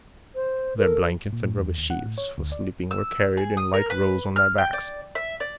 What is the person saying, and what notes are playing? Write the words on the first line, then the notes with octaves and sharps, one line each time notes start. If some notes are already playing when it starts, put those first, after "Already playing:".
Their blankets and rubber sheets for sleeping were carried in light rolls on their backs.
C5
A4 A#4
A#2
A2
E2
D#2
F#5
A2
C#5
D2
D5
E6
G#4
D#6
A#4
B4
F6
G5
D5
E5
D5